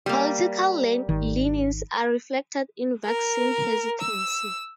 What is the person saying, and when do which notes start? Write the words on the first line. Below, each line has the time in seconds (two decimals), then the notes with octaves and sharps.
Political leanings are reflected in vaccine hesitancy.
0.06 G3 A#3
1.09 G#1 D#3
3.03 A#4
4.00 E6